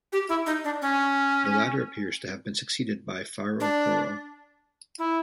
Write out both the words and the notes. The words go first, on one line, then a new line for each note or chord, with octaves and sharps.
The latter appears to have been succeeded by Fara Coro.
G4
E4
D#4
D4
C#4
D4
E4